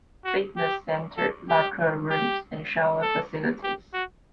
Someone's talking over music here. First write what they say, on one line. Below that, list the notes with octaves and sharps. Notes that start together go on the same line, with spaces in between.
Fitness Center, locker rooms, and shower facilities.
F#4
G4
A4
G4
G4
A4
G4
F#4